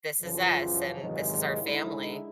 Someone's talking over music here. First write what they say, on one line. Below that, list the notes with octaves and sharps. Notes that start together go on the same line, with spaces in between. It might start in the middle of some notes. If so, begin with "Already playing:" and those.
this is us, and this is our family.
F#2 C#3 E3 F3
G#2 C3 D#3 E3 F#3 G#3
D3 G#3 D#4 E4